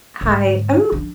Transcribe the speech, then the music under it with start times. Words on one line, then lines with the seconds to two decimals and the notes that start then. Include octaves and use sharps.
Hi. I'm
0.21 D2 G#2
0.92 F2 D4